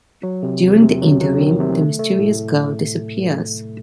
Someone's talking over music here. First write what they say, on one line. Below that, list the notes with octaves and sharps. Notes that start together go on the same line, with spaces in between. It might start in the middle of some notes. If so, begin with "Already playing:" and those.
During the interim, the mysterious girl disappears.
F#3
C3
E2
C3
F#3
F#3
D#3
C3
A3
A3
A2